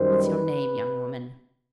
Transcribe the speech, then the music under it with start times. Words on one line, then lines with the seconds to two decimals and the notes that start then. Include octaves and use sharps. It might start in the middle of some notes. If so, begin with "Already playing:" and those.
What's your name, young woman?'
Already playing: F#2 D#3 G3 C5
0.24 B4